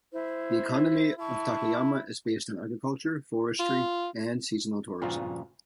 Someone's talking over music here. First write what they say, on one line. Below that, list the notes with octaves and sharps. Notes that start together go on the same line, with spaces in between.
The economy of Takayama is based on agriculture, forestry, and seasonal tourism.
E4 C5
E4 A5 C#6
F4
G2 A#2 C#3 F3 F4 F#4